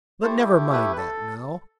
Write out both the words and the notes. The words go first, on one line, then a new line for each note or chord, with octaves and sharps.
But never mind that now.
A3 E4 G4 A4 C5
B4
B4
A4